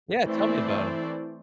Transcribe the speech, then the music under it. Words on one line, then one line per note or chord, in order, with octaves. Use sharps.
Yeah, tell me about it.
E3 A3 C4 C5 D5